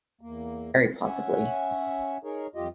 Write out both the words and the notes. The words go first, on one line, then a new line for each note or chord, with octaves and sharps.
Very possibly.
E2 A#3
C#4 E5 F#5 G#5
D#4 G#4 A#4 C#5
F2 G3 F4 G4 D#5